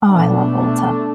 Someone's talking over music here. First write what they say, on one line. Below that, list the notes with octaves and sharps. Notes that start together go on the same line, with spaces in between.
Oh, I love Ulta.
B2 A3 B3 D4